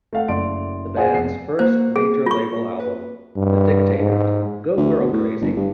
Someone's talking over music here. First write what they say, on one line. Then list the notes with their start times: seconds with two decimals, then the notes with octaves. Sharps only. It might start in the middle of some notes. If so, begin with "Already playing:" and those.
The band's first major-label album, The Dictators Go Girl Crazy!
0.13 A3 F5 F#5
0.28 F#1 A3 D5 C6 D7
0.97 G#4 C5 D5 F5 F#5 G#5
1.14 F1 C7
1.59 A#3 F#4 C5
1.96 G#4
2.26 F4 C#6
2.80 B4
3.36 G2
4.00 G#2
4.77 D2
5.00 B2
5.12 A2
5.41 G1
5.56 G2